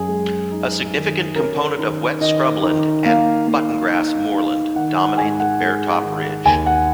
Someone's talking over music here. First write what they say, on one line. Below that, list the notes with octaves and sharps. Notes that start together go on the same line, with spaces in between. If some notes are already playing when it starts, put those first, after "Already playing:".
A significant component of wet scrubland and buttongrass moorland dominate the Baretop Ridge.
Already playing: F#2 G#4
G#3
D#4
D#3
C#4 A#4
D#3
D#3 D#5
D#3
A#3 F5
A#3
D#4
D#4
D#3 F#5
F#5
G#2 G#5
F#5
G#3
D#3
D#2 G#5
F#5